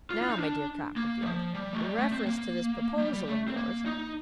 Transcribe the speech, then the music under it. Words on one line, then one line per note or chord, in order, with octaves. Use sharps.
'Now, my dear Copperfield, in reference to this proposal of yours.
F4
F4
D#4
D4
A#3
G3
F3
G3
A3
G3
A3
C4
A#3
G3
G3
A3
C4
A#3
D#4